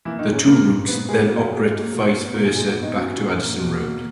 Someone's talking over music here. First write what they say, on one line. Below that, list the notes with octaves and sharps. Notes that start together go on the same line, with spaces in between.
The two routes then operate vice versa back to Addison Road.
E3 A#3 E4
D#3 D#4
A#2
C#4
A#3 A#4
A#2
G#2 B3 B4
G#3 A#3 G#4
F#3 A#3 A#4
G#2 G#4
A#3 A#4
G#3 A#3 G#4
A#3 A#4
B2
F#3 F#4
A#3 A#4
B3 B4
B2 A#3 A#4
G#3 G#4
A#2 G#3 G#4
F#3 F#4
B3
D#3 D#4
F#3 C#4
A#2
A#3
B2
A#3